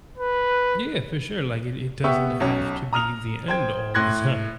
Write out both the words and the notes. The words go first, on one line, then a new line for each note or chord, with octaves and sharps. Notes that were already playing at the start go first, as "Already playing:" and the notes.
Yeah. For sure. Like, it it doesn't have to be the end all the time.
B4
B3 G4 E5 C#6 E6
B1 C#4
A#5 D#6 F6 F7
C5 G5 G#6
A2 C6 F#6 G#6 A#6